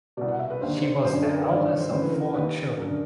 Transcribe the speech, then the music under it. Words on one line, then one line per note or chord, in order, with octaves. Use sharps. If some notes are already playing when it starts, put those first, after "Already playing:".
She was the eldest of four children.
C2 B2 D5
F#5
E5
B4
D#2 D3 C5
C5
F#2 D3 C5
C#5
A4
A#4
B4
G2 D#3 D5
D5
C#5
C5
D2 C#3 E3 C5
B4
A#4
B4
D#2 D#3 B4
F#2 D3 A#4